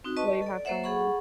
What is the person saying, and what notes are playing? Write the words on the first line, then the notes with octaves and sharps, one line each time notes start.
what do you have going on.
C4 D#4 F#4
B4 D#5 A5 C#6
A4 D5
A#3 A4 C5 C#5 E5 F#5
G#4 A4 F#5 B5 C#6